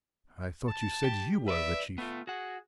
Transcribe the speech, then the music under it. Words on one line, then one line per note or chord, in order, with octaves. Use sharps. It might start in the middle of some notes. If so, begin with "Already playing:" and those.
"I thought you said you were the chief?"
A5
G4
B4 D5 E5
A3 B3 F4
F#4 G#4 F#5